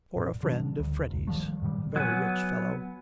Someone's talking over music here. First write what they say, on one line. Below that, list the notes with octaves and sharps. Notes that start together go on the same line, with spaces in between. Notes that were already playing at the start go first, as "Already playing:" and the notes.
'For a friend of Freddy's--a very rich fellow.
F#2 A#2
C#3 E3 G3 D4
D2
F1 C#2
D#3 F3 G3 A3
F#2 A#2 D#3 G3
F#3 B3 B4 G#5